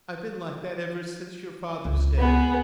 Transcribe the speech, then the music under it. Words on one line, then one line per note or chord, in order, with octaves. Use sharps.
I've been like that ever since your father's death.
C#2
B3 G#4